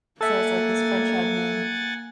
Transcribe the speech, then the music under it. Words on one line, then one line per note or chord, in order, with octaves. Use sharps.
So it's like this French onion
A#3 A4 E5 F#5 G#5 A6